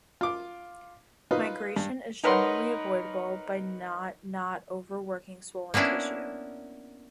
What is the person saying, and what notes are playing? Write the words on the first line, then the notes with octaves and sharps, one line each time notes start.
Migration is generally avoidable by not not over-working swollen tissue.
F4 D6
D#4 F4 B4
G2
D#4 A#4 B4 C#5 F#5 C6
A#3 B3 C#4 D4 E4